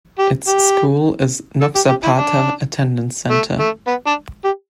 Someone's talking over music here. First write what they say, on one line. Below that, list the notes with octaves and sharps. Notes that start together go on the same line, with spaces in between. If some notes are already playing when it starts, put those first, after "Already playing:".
Its school is Noxapater Attendance Center.
G4
G4
A4
G4
G4
E4
D4
A3
A3
B3
D4
G4